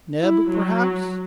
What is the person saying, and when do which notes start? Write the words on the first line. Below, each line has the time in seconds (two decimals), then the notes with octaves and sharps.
"Neb, perhaps?"
0.21 E4
0.50 F#3